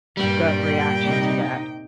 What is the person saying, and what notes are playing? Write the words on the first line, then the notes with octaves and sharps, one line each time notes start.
gut reaction to that?
G2 A#2 G3 G5
C3 D#4